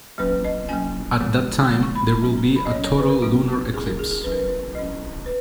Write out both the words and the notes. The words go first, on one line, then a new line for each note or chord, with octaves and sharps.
At that time there will be a total lunar eclipse.
F#3 A#3 C#4 B4
D#5
F#3 A#3 C#4 G#5
F3 G#3 B3
F3 G#3 B3 A#5
C#6
B5
B5
F#3 C#4
A#5
B5
D#5
F#3 C#4 C#5
C#5
B4
A#4
F#3 A#3 C#4 F#4
F#3 A#3 C#4 G#4
A#4
G#4
G#4
F#3 C#4 B4
A#4
B4
F#3 C#4 D#5
B4